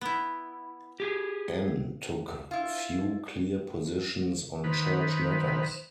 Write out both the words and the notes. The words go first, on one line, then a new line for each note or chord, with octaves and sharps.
Anne took few clear positions on church matters.
B3 E4
G4 G#4
E4 F4
D#3 B4 C5